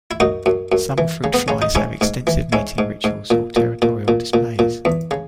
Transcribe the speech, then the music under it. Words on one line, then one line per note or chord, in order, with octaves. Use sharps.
Some fruit flies have extensive mating rituals or territorial displays.
E4
F#2 D#4 F#4
F#2
F#2
E3
C#3
B3
C#3 C#4
D#4
G#2 C#4 E4
G#2
E3
G#2 C#4 E4
G#2
G#2
A#2
A#2
A#2
A#2
A#2
A#2
E2
C#3